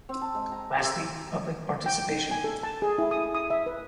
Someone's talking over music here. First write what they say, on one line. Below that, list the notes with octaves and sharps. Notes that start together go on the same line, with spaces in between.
Lastly, public participation.
C4
A5
G#3
A#5
G4 A#4 D5 E5
G5
D#4
G#5
A4
A5
G#4
E4
D#6
D#6
E5
B4